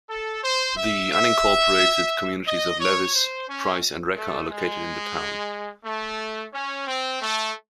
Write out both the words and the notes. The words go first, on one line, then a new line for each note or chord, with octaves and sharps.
The unincorporated communities of Levis, Price and Requa are located in the town.
A4
C5
E5
E5
D#5
C#5
C5
C#4
A3
G#3
A3
C#4
C4
A3